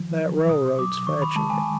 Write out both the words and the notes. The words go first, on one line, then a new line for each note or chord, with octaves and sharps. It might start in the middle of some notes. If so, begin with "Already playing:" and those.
That railroad's fetching it.
Already playing: D#3 F3
F#3
B2 D#6
F#3 D6
D#3 C#6
B5
G#3 A5
G#5